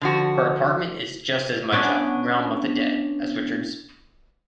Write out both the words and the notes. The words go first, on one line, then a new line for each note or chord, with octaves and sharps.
Her apartment is just as much a "realm of the dead" as Richard's.
D3 F3 F#4
B3 C#4 D4